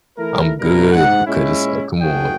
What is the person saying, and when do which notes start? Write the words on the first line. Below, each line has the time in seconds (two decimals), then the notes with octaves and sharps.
"I'm good," because it's, like, "Come on."
0.18 E3 A3 E4 A#4
0.59 B2 D3 G3 E4 A#4
0.92 G#2 F#5
1.26 A#2 G#3 C#4 E4
2.01 F#1 D#2 A3 F#4 G#4 G5